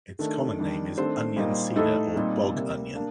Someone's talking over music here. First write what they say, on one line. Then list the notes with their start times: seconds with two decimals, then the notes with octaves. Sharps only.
Its common name is onion cedar or bog onion.
0.19 D#3 A3 D4
0.59 D#3 G3 D4
0.97 D#3 A3 C4 D4 C5
1.36 A#2 G3 A#3 D#4
1.76 A2 A3 D#4 A4
2.16 A#2 G3 C4 D#4
2.55 C3 G3 A#3
2.95 A#3 D4